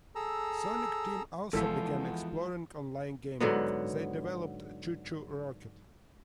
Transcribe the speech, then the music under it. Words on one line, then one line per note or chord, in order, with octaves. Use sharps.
Sonic Team also began exploring online gaming; they developed ChuChu Rocket!
G#4 A4 A#5 E6
G#1 E2 F3 G#3 E4 A4 E5
G#2 D3 F#3 B3